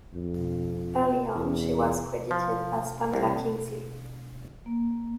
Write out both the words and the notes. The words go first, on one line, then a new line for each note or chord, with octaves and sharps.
Early on she was credited as Pamela Kingsley.
F2
E2
F3
C2
A#3